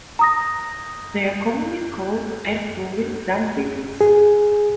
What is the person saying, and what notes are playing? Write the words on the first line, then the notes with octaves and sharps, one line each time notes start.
They are commonly called earth-boring dung beetles.
A#5 D#6 A#6
G#4